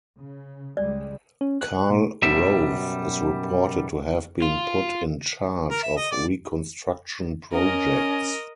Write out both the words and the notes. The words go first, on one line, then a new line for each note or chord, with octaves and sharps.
Karl Rove is reported to have been put in charge of reconstruction projects.
C#3
C#2 G3 G#3 D5
C#4
F#6
A#2
F#2 B2 G3 E5
F4
A#4
E5
D#5
D5
C#4 A#4 D#5